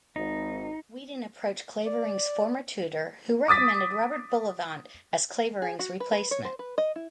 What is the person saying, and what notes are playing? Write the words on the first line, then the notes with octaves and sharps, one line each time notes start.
Weedon approached Clavering's former tutor who recommended Robert Bullivant as Clavering's replacement.
G#1 D#4
D5
D6 D#6 A6 B6
G#4
F#4
B4
B4
C#5
C5
B4
D#5
E4